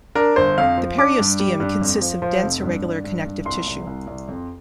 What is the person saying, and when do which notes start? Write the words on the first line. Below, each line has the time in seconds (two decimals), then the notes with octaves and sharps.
The periosteum consists of dense irregular connective tissue.
0.15 D4 A#4
0.36 G1 C5
0.58 F2 F5
0.77 F3
0.98 D4 D6
1.19 G2
1.39 G3
1.60 G2
1.81 F2
2.01 F3
2.22 F3
2.42 F1
2.63 G2
2.84 G2
3.04 G2
3.25 G2
3.45 C2 C6
3.67 C2
3.87 C2
4.07 C2
4.29 F2